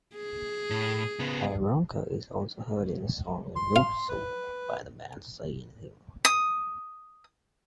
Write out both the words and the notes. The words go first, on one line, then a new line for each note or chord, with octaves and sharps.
Waronker is also heard in the song "No Soul" by the band Say Anything.
G#4
A2
C#3 B3
C6
F5
B4
D#6